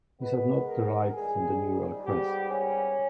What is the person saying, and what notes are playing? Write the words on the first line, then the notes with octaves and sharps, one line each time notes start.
These are not derived from the neural crest.
G#2 D#3 G#3 B3 B4
A#4
A#1 G#2 D#3 G3 G#4
G#2 G3 B3 G4
C#4